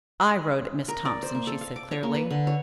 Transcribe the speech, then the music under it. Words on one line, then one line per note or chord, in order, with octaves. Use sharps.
"I wrote it, Miss Thompson," she said clearly.
A#4
D5
C5
A#3
A4
F5
D6
C#5
A#3
B4
D3
C#5